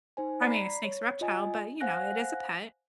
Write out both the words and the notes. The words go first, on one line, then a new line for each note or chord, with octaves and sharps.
I mean, a snake's a reptile, but, you know, it is a pet,
D#4 C5 G#5
D5 A#5 B5 B6 C7
C#5
F4 D#5 G#5
C5 F5 F#5 G#5 F#6 A#6